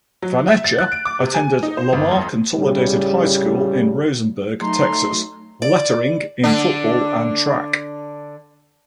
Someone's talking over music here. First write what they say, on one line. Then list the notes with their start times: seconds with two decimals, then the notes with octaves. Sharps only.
Faneca attended Lamar Consolidated High School in Rosenberg, Texas, lettering in football and track.
0.22 F#3
0.48 E5
0.64 A6
0.79 F#6
0.92 D7
1.05 D6
1.20 C3
1.34 G#5
1.63 D#4
1.77 C5
1.93 G1
2.11 F2
2.55 A2 C#3 G3
4.61 F#3 A3 D#4 A#5 C6
5.62 D5
6.44 D3 D4